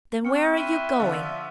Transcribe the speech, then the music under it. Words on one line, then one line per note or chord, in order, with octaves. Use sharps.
"Then where are you going?"
C4 C#6 F6 C#7
E4 F#6 D#7 G7
D3 F3 E5